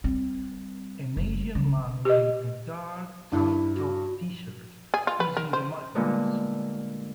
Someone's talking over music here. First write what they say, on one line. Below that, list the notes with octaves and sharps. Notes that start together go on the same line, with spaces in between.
An Asian man wearing a dark tank top tshirt is in the marketplace.
G3 C4
F#1
C#3
G4 D#5
G2 E4
F#4
G#4
F4
B4
A#4
C5
A#2 D3 G3 G#3 A#3 B3